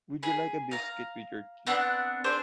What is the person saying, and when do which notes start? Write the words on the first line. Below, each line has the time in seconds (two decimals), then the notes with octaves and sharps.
Would you like a biscuit with your tea?
0.23 G#4 B5
0.71 F5 A#5
1.67 B3 C4 D4 F#5
2.24 C4 D4 G#4 C5